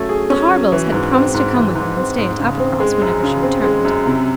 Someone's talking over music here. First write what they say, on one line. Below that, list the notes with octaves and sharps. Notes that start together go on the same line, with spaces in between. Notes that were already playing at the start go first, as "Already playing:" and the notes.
The Harvilles had promised to come with her and stay at Uppercross, whenever she returned.
Already playing: F#3 A3 C#4
G#4
C#4
F#3
E3
G#2
C4
G#2
E3
G#2
C4
G#2
C#3
C4
G#3
F#2
C#3
C4
G#3
F#2
C3